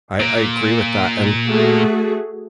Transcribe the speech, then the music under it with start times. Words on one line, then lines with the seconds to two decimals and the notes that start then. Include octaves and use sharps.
I I agree with that, and
0.21 A#2
1.48 A3 F#4 G#4